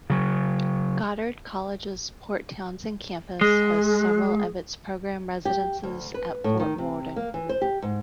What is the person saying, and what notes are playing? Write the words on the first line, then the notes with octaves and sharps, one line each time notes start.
Goddard College's Port Townsend campus hosts several of its program residencies at Fort Worden.
C#3 F#3
G#3 G#4
G4
D2
B4
A2
D#3
C3
A#3
E3
C5
G4
G#2